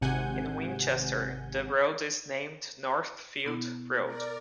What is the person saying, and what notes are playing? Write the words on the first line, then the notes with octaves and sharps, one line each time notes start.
In Winchester, the road is named Northfield Road.
G#1 C3 F#5 G#5 G6
B2 B3 E4
A#4 D5